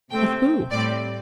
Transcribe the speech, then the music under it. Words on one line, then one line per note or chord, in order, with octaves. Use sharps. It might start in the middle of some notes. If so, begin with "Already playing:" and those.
"But who?"
C3 A3 C4 G5
A2 G3 C4 D5